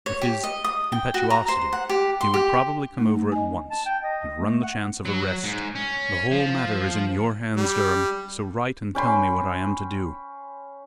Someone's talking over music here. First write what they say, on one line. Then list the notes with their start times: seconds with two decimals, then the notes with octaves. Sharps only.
With his impetuosity, he would probably come over at once, and run the chance of arrest. The whole matter is in your hands, Durham, so write and tell me what I am to do.
0.06 C#5
0.21 G4
0.44 D#5
0.64 D#6
0.92 G5
1.14 F#4
1.30 A#5
1.48 C5
1.73 F#5
1.89 G4
2.21 C6
2.34 G4
2.99 A3 D#4
3.32 D#5 G#5
3.71 A5
3.86 G5
4.03 D#5
4.37 A3
4.63 F#5
5.05 F#3
5.44 G#2
5.75 C#4
6.31 F3
7.57 G3
8.95 C#4 G5 B5 C6